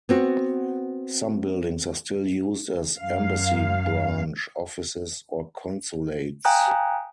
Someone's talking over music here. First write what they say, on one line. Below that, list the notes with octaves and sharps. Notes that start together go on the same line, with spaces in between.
Some buildings are still used as embassy branch offices or consulates.
B3 C4 F#4
F#2 F5
F5 G5 G#5 A#5 D#6 F#6